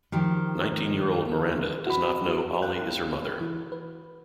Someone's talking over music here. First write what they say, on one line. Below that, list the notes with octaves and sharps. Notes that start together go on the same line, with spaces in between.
Nineteen-year-old Miranda does not know Oly is her mother.
D#3 F3 G4
F#4 B5
F5 G5 F#6
E3
B4